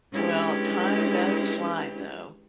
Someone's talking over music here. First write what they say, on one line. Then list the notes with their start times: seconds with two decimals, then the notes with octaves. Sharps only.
Well, time does fly though.
0.13 G#3 C#4 D4 E4 G4 B4